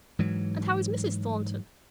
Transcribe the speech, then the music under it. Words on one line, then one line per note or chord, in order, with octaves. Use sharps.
And how is Mrs. Thornton?
G#2 E3 F#3